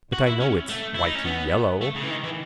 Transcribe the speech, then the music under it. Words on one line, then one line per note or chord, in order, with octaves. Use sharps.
But I know it's whitey yellow.
F#4
E4
C#4
A3
E4
D#4
C#4
B3
A3
C#3
E3
D#3
E3